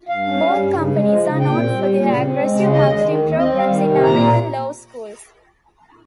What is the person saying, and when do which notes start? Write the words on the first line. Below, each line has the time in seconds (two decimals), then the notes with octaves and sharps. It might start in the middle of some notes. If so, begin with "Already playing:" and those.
Both companies are known for their aggressive marketing programs in American law schools.
0.09 G2 F5
0.26 C#4
0.42 G3
0.59 G2
0.74 C#3
0.91 G#3
1.07 F3
1.24 C#3
1.40 A#2 G5
1.56 C4
1.72 G3
1.89 A#2
2.05 C#3
2.23 C4
2.39 G#3
2.56 C#3
2.72 D#2 D#5
2.88 G#3
3.04 D#3
3.20 D#2
3.37 C4 D#5
3.54 G3 F5
3.70 D#3
3.86 C3
4.02 A#2 A#5